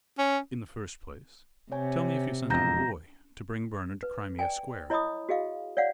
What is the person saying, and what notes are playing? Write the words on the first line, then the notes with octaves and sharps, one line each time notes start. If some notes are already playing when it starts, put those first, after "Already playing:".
"In the first place, tell me if you sent a boy to bring Bernard to Crimea Square?"
C#4
C3 C#5 G#5
E1 F2 A#5 G6 A#6
B4
D5 G5 G#5
E4 C#5 D#5 B5 D6 D#6
F#4 G#4 D#5 F5
C#5 D5 F5 F#5